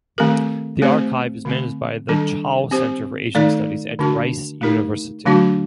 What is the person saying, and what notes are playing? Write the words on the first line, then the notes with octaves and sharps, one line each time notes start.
The Archive is managed by the Chao Center for Asian Studies at Rice University.
D#3 A3 C4 G4 A#4
A3 C4 G4 C5
D3 A3 C4
D#3 G3 D4 A4
C4 G4 C5
D#3 A3 D#4 A4 D5
D3 A3 D4 F#4 A#4
A3 D#4 G4 A#4
D3 F#3 A3 D4 F#4